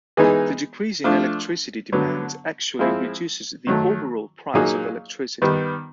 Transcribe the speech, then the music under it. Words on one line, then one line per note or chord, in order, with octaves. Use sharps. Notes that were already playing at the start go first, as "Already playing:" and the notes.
The decrease in electricity demand actually reduces the overall price of electricity.
E3 G#3 B3 D#4 G#4
F3 A3 D4
D3 F#3 B3
F3 G#3 C4 E4
D#3 F#3 A3
A#2 F#3 A#3 D#4 G#4
D#3 G3 B3